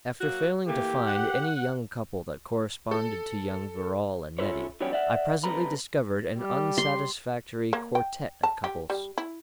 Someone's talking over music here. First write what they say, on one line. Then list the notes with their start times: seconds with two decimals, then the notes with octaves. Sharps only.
After failing to find any young couple that corresponded to young Verrall and Nettie, I presently discovered an unsatisfactory quartette of couples.
0.21 F#3 A#3 F#4
0.68 E3 A3 A#3 G4
1.06 F#5
2.91 A4
4.39 C#4 E4 F4 A4 B4 C#5
4.80 E3 F#3 G3 B3 C#4 G4
4.93 D5 E5 F#5
5.44 C2 C3 A4 B4 A#5 B5
6.37 G3
6.78 C6
7.73 A#3
7.95 G5
8.43 A5
8.64 G4
8.90 G3
9.18 E4